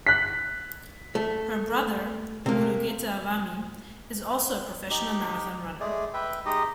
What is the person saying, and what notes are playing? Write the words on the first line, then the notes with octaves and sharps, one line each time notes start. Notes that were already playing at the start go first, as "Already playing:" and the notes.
Her brother, Mulugeta Wami, is also a professional marathon runner.
F#6 B6
A3
C3 A#3
D#4 G4
G#3 A3 G#4 D5
B4 E5 G5
G#3 D#4 G4 D#5